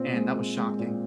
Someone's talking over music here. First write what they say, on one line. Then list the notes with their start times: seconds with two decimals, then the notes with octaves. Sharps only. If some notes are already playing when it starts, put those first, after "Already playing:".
and that was shocking.
Already playing: A#2 C4
0.14 G#3
0.36 G#3
0.57 G#3
0.79 A#2